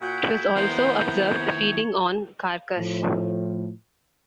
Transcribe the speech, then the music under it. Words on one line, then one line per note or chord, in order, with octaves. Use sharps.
It was also observed feeding on carcass.
A#2 E4 F#4 G6
D#2 B3 E4 A#4 C5 C6
C#5
A2 F3